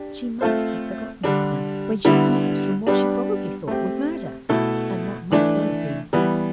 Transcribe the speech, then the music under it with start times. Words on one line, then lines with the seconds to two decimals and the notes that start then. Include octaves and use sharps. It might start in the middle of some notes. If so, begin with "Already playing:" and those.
She must have forgotten it, then, when she fled from what she probably thought was murder, and what might well have been.
Already playing: D4 G4
0.41 A3 C4 F4 A4 C5
1.24 D3 G3 D4
2.05 D3 G3 B3 E4
2.86 G3 B3 D4 G4
3.68 A3 C4 G4
4.49 B2 A3 E4 A4
5.32 E3 A3 D4
6.13 E3 G3 B3